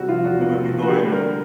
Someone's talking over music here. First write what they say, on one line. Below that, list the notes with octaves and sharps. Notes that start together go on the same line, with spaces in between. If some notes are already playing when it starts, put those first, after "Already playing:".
we would be going
Already playing: C3 G3 F#4
F3 F4
E2 F#4
A#3 F#4
C3
F3
F#4
D3 G4
G3
A#4